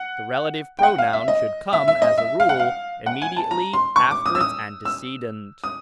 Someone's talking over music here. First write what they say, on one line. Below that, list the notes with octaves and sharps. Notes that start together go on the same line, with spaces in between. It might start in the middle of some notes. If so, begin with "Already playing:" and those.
The relative pronoun should come, as a rule, immediately after its antecedent.
Already playing: F#5
G5
F#5
F5
E5
D#5
E5
E5
D#5
E5
F5
F#5
F5
F#5
G#5
A5
A#5
C6
C#6
D6
D#6
E6
D#6
E6
D#6